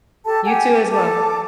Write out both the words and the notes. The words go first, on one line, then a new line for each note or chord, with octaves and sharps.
You too as well.
G4 A4 A5
G4 F#5 G#5
A4 A5 D6